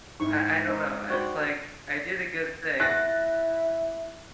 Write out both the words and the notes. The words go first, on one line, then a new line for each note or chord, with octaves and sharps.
I I don't know, it's, like, I did a good thing.
G#2 D#4 E4 C#6
D#4 C5 G#5
F#4 C5 D5 G5 B5
E4 F#6 A6 A#6